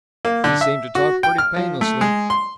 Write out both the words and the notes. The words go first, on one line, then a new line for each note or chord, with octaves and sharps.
He seemed to talk pretty painlessly.
A#3
D3
E5
F#4
G5
F6
F3
A3
G#3
C6